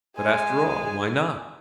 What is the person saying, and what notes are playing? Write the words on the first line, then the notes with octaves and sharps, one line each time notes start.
But, after all, why not?
G#3 G#5